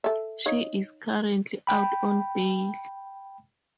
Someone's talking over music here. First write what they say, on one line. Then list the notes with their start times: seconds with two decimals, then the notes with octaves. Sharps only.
She is currently out on bail.
0.04 A4 E5
0.46 D#4 C#5 F5
1.67 G5 B5